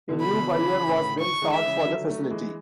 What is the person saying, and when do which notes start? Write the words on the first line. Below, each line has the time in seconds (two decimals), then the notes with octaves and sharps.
A new buyer was then sought for the facility.
0.09 B2 D3
0.21 B5
0.31 B2 D3
0.53 C#3 E3 B5
0.86 A2 C#3
1.20 C#6
1.42 E3 G#3
1.53 E5
1.64 C#3 E3
1.86 D3 F#3
2.09 F#3 A3
2.31 E3 G#3